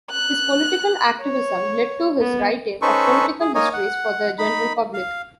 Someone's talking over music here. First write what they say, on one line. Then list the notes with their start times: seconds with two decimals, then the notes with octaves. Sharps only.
His political activism led to his writing of political histories for the general public.
0.11 F#6
1.22 C#5
2.20 B3
2.82 C#4 D#4 A4 B4 C5 C#6
3.40 G#4
3.55 A#3 D#4 C#5 D#5 G#5
3.73 F#5
4.38 D#4 B5
4.94 F5